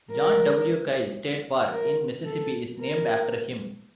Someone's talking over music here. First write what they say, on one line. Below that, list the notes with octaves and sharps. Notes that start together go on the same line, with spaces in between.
John W. Kyle State Park, in Mississippi, is named after him.
A#4
A#4
A4
A#4